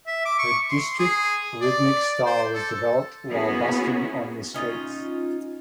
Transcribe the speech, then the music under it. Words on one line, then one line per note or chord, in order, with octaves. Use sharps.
Her district rhythmic style was developed while busking on the streets.
E5
D6
C#6
C6
G#4
D5
C5
A4
A#3 B3 C#4 E4 F#4 G#4
C#4 D#4 F4